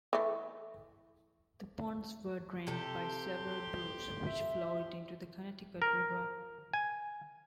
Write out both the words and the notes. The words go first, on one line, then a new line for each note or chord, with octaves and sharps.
The ponds were drained by several brooks which flowed into the Connecticut River.
E3 A3
C3 G4 A4 C6
E5
A#4
G#5